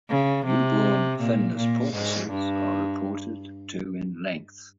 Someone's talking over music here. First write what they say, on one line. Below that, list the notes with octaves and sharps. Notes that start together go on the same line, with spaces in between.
Newborn finless porpoises are reported to in length.
C#3
C3
A#2
A#2
G#2
G2